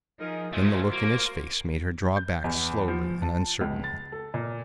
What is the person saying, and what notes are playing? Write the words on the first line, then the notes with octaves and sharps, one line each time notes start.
Then the look in his face made her draw back, slowly and uncertainly.
F3 D#4 G#4 A#4
G#3 A3 F4 F#4 A#4 C5
A#3
G6
E2
F3
A5
C#2
A6
A4
A#2